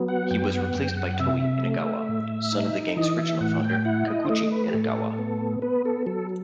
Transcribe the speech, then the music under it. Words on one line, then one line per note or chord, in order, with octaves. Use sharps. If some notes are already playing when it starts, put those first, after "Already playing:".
He was replaced by Toi Inagawa, son of the gang's original founder Kakuji Inagawa.
Already playing: F#3 B3
F#5
F#2 G5
F#5
F#2 G5
F#5
C3 E5
A3
A2
D#4
E3 D#5
E5
A2 F#5
G5
E4 F#5
D#5
C5
A3 D#5
B4
G4
A2 A4
B3
B3 B4
A4
F#3 A4